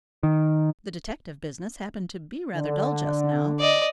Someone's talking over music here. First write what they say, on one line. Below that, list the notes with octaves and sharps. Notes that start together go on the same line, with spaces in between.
The detective business happened to be rather dull just now.
D#3
D3
D5 D#5